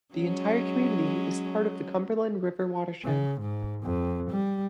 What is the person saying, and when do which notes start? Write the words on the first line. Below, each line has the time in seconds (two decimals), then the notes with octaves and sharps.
The entire community is part of the Cumberland River watershed.
0.14 F#3 G#3 C#4
3.05 C#3
3.41 G#2
3.84 F2
4.30 G3